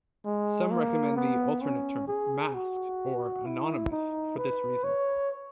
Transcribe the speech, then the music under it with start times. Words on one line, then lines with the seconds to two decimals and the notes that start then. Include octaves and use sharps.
Some recommend the alternate term "masked" or "anonymous" for this reason.
0.25 G#3
0.71 A#3
1.16 B3
1.63 C#4
2.08 G#4
2.54 F#4
3.46 E4
3.92 D#4
4.37 B4
4.84 C#5